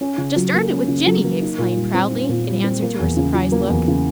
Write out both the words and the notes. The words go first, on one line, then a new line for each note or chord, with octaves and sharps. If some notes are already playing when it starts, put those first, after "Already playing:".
"Just earned it with Jinny," he explained proudly, in answer to her surprised look.
C#4
C#3
F#3
A#3
C#4
C#3
F#3
A#3
D#4
A#2
G3
C4
D#4
A#2
G3
C4
A#3
E2
C#3
F#3
A#3
E2
C#3